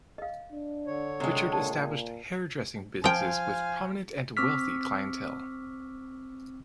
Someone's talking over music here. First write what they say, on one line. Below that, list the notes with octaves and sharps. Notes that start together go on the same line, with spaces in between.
Richard established hairdressing businesses with prominent and wealthy clientele.
D#5 F5
D4
D3 C#5
F#2 C3 G#3
A#2 A5
F3 C5 F5 G5 G#5
C4 C#6 D6 E6 F6 B6